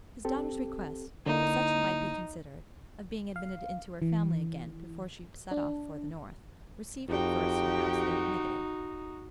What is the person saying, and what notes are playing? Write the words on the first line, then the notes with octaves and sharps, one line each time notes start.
His daughter's request, for such it might be considered, of being admitted into her family again before she set off for the North, received at first an absolute negative.
C4 G4 A4
D3 A#3 D#4 E4
F5
E3
D4
F2 D#4 F#4 G4 G5